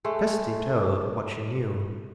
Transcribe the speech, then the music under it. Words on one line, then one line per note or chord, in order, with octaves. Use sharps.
Kirsty told what she knew.
G#3 A3